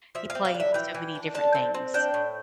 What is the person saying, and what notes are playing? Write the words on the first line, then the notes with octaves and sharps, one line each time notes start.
he played so many different things."
F3 E5
F5
C4
F5
D3
E5
E3 G5
E3
D4
D3 A5
C4
C4
D4 G5
A2